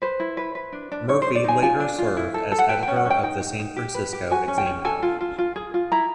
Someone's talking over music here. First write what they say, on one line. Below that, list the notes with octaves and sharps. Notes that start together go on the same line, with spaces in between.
Murphy later served as editor of the "San Francisco Examiner".
B4 C5
E4
B4
B4
D4
D4
D#4 C#5
D#4 C5
D5
D#4 G#5
F4 G#5
D4
F4
E4
A4
A4
F#5
B4 G5
G5
C#4
F#5
C#4
G5
D#4 G5
D#4
D#4
G4
B4
G4
F#4 G#5
C#4
G5
C#4
A4 G#5
F4
F4
F4
G#4
F4
E4 A#5